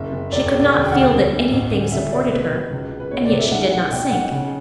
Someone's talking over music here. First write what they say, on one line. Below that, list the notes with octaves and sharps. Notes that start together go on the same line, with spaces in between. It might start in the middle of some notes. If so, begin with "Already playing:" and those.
She could not feel that any thing supported her, and yet she did not sink.
Already playing: F#1 E5
F#1
E1 D5
C#5
E1
D5
D2 D5
G5
D2 F#5
D3
D2
A1
D3
C#2 E5
B2 D5
B2 B4
B2
C#2
C#2
B4
B2 C#5
D5
C#2
E5
B1 F#5
E3 F#5
B2 G5
B1 F#5
C#3